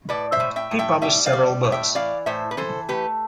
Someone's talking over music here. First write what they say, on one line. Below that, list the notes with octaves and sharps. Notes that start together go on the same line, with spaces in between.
He published several books.
A2 B4 D5
C5 E5
A2
E5 G5
A2
E5 G5
G3 E5 G5
D5 F5
G3
A2
E5 G5
E3 D5 F5
A2 C5 E5
B4
E3 A4 C5
A3 G4 B4